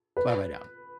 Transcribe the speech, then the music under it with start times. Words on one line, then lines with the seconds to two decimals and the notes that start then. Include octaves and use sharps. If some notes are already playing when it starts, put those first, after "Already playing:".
Bye-bye now.
0.17 B4